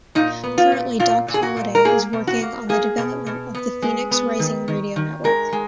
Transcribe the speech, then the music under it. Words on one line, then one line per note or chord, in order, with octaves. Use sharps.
Currently Doc Holliday is working on the development of the Phoenix Rising Radio Network.
A#2 D#4
B3
F4
A#2
A#2 F4
A#2
G#4
F#4
A#2
A#4
A#3 G#4
B2
F#4
A#3
A#3 G#4
B2
B2
B3
G#3
B3
D#3
D#3
D#3
G#3 A#4
G#3